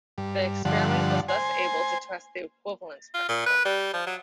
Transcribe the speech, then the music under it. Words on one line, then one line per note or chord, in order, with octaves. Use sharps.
The experiment was thus able to test the equivalence principle.
G2
G2 D3 F3 F#5
C5 G#5
F4
A#2
B4
G3
F3
F#3